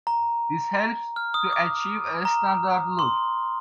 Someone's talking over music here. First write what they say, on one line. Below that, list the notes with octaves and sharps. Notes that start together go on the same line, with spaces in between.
This helps to achieve a standard look.
A#5
F6
D#6
D6
A#5
C6